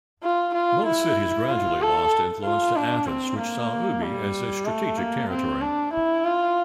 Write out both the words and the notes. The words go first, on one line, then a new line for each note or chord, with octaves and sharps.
Both cities gradually lost influence to Athens, which saw Euboea as a strategic territory.
F4
F4
E4
F4
A4
F4
D4
C4
A#3
G3
A3
A#3
C4
D4
E4
F4